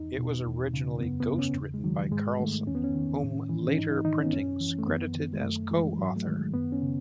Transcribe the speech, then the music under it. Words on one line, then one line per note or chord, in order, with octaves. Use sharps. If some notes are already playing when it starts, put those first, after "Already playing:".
It was originally ghost-written by Carlson, whom later printings credited as co-author.
Already playing: E2 D#4
B2
E2
C#3
F#2 B3
B3
C#3
C#4
E2
G#3
D#3 F#3
G#2 G#3
D#3 A3
E2 C#4
B3
C#4
D#3
A2
E3
C#4
G#2 D#4
D#4
D#3 D#4
C#4
B3
F#2 C#4
E3
A3
F#2 B3
D#3
G#3
F#2 A3
E3 G#3
G#2 F#3
A3
D#3 G#3
F#2 B3
C#4
C#3